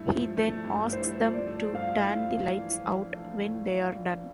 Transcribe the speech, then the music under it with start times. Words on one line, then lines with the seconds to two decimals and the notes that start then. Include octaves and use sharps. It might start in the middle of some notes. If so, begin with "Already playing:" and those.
He then asks them to turn the lights out when they're done.
Already playing: G2 A3 E4
0.09 F3
0.37 A3
0.64 G2
0.93 E4 C5
1.19 F3
1.33 D5
1.47 A3
1.74 G2 F5
2.01 E4
2.29 F3
2.58 E3
2.84 A#1
3.12 A3
3.40 A2
3.68 E3
3.94 A#1